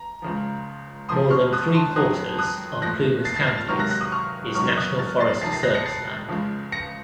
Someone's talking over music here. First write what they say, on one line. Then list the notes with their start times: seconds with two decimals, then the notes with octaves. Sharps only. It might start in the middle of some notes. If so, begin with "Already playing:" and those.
More than three-quarters of Plumas County's is National Forest Service land.
Already playing: A#5
0.22 C#2 C#3 F3
1.09 F2 C3 F3 C6 D#6
1.30 C#6 F6
1.53 D#6 F#6
1.74 A5 C6
1.96 F2 D#3 F#3 D#6 F#6
2.38 D#6 F#6
2.82 A2 F3 F#6 A#6
3.25 A6 C7
3.36 A6 C7
3.47 F6 A6
3.58 F6 A6
3.68 C#2 C3 D#3 F#3 C#6 F6
3.79 F#6 A#6
3.90 F#6 A#6
4.01 D#6 F#6
4.12 C#6 F6
4.55 F#2 D#3 F#3 C#6 F6
4.77 D#6 F#6
4.98 F6 A6
5.20 A6 C7
5.41 F2 C3 D#3 A6 C7
5.53 A6 C7
5.63 F#6 A#6
5.74 A#6 C#7
5.86 A6 C7
6.29 C#2 C#3 F3
6.72 A#6 C#7